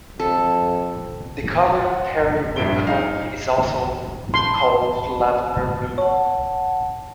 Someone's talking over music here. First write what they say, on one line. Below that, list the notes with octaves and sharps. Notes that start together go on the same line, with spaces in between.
The color periwinkle is also called lavender blue.
F2 A4
F#5 C6
A#1 G2 E5 D7 G7
D#4 F5
A5 B5 C6
C#5 F#5 A5